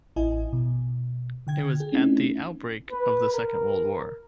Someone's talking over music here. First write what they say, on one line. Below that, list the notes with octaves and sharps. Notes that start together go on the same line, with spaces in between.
It was at the outbreak of the Second World War.
A1 E4 D#5 G#5
B2
D3 G5 G#6
G#4
A3 C4 C#4 D#4 E4
B4
A#4